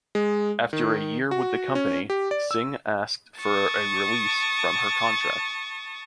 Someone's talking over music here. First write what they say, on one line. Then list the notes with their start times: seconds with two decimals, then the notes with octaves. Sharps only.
After a year with the company, Sing asked for a release from her contract.
0.15 G#3
0.73 D#3
1.31 F#4
1.75 C#4
2.10 G4
2.31 D5
2.51 E6
3.39 A5 C#6 D#6